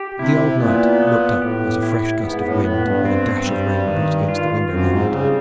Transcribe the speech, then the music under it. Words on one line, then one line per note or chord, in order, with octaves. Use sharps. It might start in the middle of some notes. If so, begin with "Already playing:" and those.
The old knight looked up as a fresh gust of wind with a dash of rain beat against the window behind him.
Already playing: G4
C3 E4
A#2 B3
B3
A2 G4
E4
G#2 B3
A2
A2 B3
G2
C4
G3
D#3
F4
F#2 C4
G#2
C#3 G3